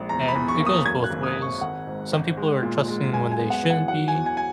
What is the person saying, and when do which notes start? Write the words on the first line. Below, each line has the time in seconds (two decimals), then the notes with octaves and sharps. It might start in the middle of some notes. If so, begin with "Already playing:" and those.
And b it goes both ways. Some people are trusting when they shouldn't be,
Already playing: A#1 G#3
0.09 E2 A#5
0.28 B5
0.35 E2
0.48 C#6
0.60 A#3
0.66 D#6
0.86 F#2 G#6
1.04 F#6
1.11 G#1
1.23 D#6
1.37 G#1
1.42 C#6
1.61 G#1 F#5
1.87 G#2
2.12 G#1
2.37 G#3
2.63 A#2
2.88 G#3
3.13 F#2 G#5
3.31 G#5
3.39 B3
3.50 F#5
3.63 E3
3.70 F#5
3.88 F#3 F#5
4.08 G#5
4.15 E2
4.26 G#5
4.37 G#5